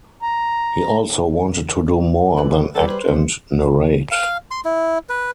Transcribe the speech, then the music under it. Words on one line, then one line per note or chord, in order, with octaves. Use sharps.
He also wanted to do more than act and narrate.
A#5
D2 D3 B4
D3 E3 G3 A4
G#4 B4 C5
G#3 B3
F5
C6
E4
B4